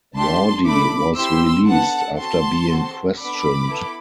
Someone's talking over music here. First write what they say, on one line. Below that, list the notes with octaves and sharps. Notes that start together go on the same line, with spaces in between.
Wardy was released after being questioned.
A3 D4 G4 A5 C6
A3 D4 A4 B5 D6
C4 E4 G4 C6 E6
B3 D4 A4 F#5 A5
C4 F#4 A4 A5 C6
C4 F#4 A4
B3 D4 A4 B5 D6
B3 E4 A4